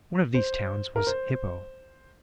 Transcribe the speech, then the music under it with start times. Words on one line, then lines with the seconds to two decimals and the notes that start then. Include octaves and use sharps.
One of these towns was Hippo.
0.35 C5
0.96 A#4
1.07 C5